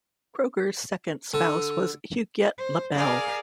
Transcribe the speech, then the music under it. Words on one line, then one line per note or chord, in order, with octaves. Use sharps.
Kroeger's second spouse was Huguette Labelle.
D3
C5
G#4 A#4 D5 F5 G#5